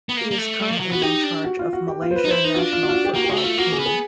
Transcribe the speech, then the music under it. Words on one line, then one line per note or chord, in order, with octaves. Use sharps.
He is currently in charge of Malaysia national football team.
B3
A#3
A#3
A3
G3
F3
F#3
B3 F#4
D#4 G4
D4
F#4
F4
F#4
G4
F4
C5
B4
D#4
E4 C5
D#4 B4
F#4
D4 F4
F4
F#4
F4
F#4
G4
A#3 F#4
G4
G#3 F#4
A3
F4
A#3 F#4
G#4
B3
G#4